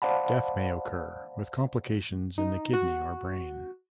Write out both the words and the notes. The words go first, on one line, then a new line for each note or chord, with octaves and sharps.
Death may occur, with complications in the kidney or brain.
C5 D5 F5 F#5 A5 B5
D#4
F#4